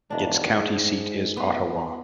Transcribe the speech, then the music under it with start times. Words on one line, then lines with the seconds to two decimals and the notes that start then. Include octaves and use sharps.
Its county seat is Ottawa.
0.10 E1 D#3 D4
0.53 G#2
1.37 B3